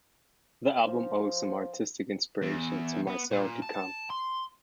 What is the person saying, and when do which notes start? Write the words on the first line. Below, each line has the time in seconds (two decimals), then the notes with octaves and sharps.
The album owes some artistic inspiration to Marcel Duchamp.
0.87 F3
2.42 E2
3.07 B3
3.31 A#2
3.62 A5
4.10 C6